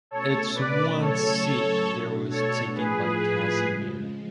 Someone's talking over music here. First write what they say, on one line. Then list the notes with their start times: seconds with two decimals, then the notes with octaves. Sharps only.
Its one seat there was taken by Cazimir.
0.11 B2 A3 C#4 A4 C#5
0.55 B4 D5
0.99 C#3 F#3 A3 C#4 A4 C#5
1.86 B2 A3 D4 F#4
2.31 A4 C#5
2.75 A2 F3 A3 F4 G#4 B4
3.63 C#3 F3 G#3